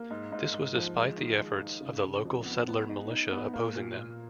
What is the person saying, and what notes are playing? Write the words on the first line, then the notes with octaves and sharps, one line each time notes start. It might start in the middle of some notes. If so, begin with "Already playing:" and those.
This was despite the efforts of the local settler militia opposing them.
Already playing: A#3
G#2
G#2
G#2
F3
G#3
D#3
G#3
D#3
C#3
C#3
F2
B3
B3
D#4
D#4
B3
A#3
A#2
A#2